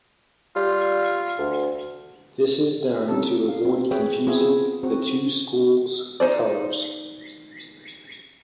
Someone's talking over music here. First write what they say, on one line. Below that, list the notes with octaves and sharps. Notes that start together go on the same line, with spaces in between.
This is done to avoid confusing the two schools' colors.
G3 F4
D2
G3 C4 C#4 D#4 G4 A4
F5
C4 D#4
G#4 B4 C#5 E5 G5
B3 C4 E4 F4 G#4
C4 F#4 C5
D#4 C5 D5